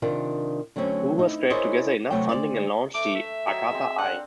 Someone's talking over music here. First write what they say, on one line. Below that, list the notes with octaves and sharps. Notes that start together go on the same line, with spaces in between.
Hoover scraped together enough funding and launched the "Arcata Eye".
C3 D#3 D4 F4 A#4
D3 F#3 A3 C4 C#4
C4 D#4 E4
E4 G#4 A#4 C5 C#5 D#5
C3 F#3 A3 F#4 C#5 G5
D2 G#2 C5 D5
A3 D6
E5
F#3 D#5 E5 G5
G#3 C4
C4 D4 F5 F#5